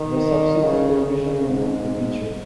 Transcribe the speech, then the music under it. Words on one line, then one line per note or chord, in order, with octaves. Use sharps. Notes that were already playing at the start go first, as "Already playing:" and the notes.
The subsequent revision removed the feature.
Already playing: D#3
C#3
C#3
G#2